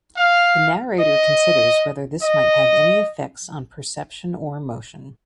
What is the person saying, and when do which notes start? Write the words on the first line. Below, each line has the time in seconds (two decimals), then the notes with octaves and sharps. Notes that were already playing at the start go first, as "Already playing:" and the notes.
The narrator considers whether this might have any effects on perception or motion.
0.17 F5
0.99 D#5
2.22 D#5